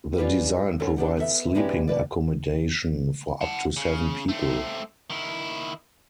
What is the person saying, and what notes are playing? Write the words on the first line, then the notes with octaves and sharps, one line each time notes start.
The design provides sleeping accommodation for up to seven people.
B3 C#4 D4 F4 G4 B4
F#3 B3 C#4 A4
B3 D4 G4 F#5
B3 A4 E5
G2 E3 G#3 B3 C#4 G4
B2 B4 D5
F#5 A5
C#3
A3 C4
D#3 E4